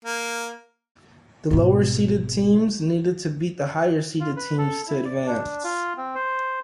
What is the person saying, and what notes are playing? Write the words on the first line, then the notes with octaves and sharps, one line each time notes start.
The lower seeded teams needed to beat the higher seeded team to advance.
A#3
G#1 B2
F4
B4
A4
E4
D5
D4
F4
C4
C5